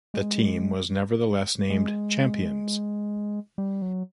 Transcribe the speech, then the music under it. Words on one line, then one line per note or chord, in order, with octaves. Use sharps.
The team was nevertheless named champions.
G#3
G3
G#3
G#3
G3
F#3